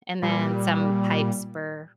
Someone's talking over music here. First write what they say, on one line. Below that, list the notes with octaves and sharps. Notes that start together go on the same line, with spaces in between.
and then some pipes bur
A#2 G3